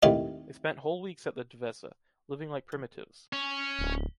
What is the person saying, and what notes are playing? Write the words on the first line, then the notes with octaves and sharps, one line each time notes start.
They spent whole weeks at the Devesa, living like primitives.
D#2 A2 C3 D#3 G#3 F5
C#4
D1